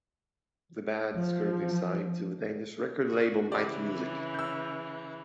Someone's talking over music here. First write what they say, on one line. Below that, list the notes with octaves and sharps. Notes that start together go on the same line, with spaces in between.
The band is currently signed to the Danish record label Mighty Music.
F3
F#4
C#3 E3 G4 D5
E6 G6